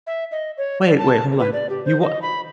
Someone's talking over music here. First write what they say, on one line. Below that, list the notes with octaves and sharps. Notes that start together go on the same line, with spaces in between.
Wait, wait, hold on, you wha
E5
D#5
C#5
D5
A5
B4
D5
G4
C5
D#5
B5